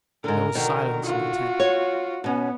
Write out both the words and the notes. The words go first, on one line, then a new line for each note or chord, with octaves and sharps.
There was silence in the tent.
G#2 D3 A#4
B2 D3 D#3
F4 F#4
C#5
B2 B3 C#4